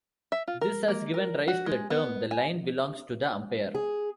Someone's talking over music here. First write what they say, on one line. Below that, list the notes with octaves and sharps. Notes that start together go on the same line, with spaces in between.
This has given rise to the term the line belongs to the umpire.
E5
F4
A#4
A#3
A#4
F#4
G#3
B3
G#5
G#4